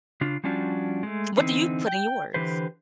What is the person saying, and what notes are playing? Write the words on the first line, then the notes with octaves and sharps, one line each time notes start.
What do you put in yours?
C#3 D4 F4
F3 G3 C#4 D4 F4 F#4
G#3 A3
D3 E3 C4 D#4
G5
D3 E3 G4 B4 C5